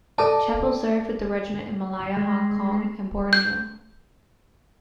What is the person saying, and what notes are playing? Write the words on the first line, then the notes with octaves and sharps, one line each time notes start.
Chapple served with the regiment in Malaya, Hong Kong and Borneo.
A4 D5 D#5 A5
G#3
G6